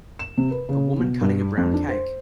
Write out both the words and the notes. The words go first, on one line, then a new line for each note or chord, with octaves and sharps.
A woman cutting a brown cake.
E7
C3
B4
C#3
B2
G2
F2
D4
C5